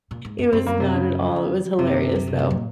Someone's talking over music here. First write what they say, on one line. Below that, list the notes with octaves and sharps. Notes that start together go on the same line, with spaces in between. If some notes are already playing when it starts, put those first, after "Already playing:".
It was not at all. It was hilarious, though.
A#2
G#2
F#2
F#2 C4
A#3
C3
C#3
F2
F#2 C3
D#3
C#3
C3
A#2